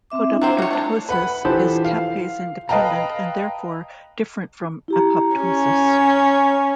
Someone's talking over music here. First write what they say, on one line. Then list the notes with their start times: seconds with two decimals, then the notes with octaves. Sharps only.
Podoptosis is caspase-independent and, therefore, different from apoptosis.
0.10 C4 E5 D6
0.29 D4 E4
0.41 F#3 C4 C5 E5
0.58 F#4 C#5
0.71 A3 D4
1.09 B4 F#5 B5
1.45 E3 F3 G4 A4 C5
1.85 F5
2.69 B4 D#5 F5 G5 A5 A#5
4.88 E4 G4 A#5
5.36 C#4 A#5